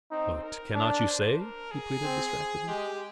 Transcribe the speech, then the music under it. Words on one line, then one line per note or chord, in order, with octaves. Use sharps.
"But cannot you say?" he pleaded, distractedly.
C4 D#4
A#4
D4 A#4
C5
A#4
G#4
C4
G#3 G4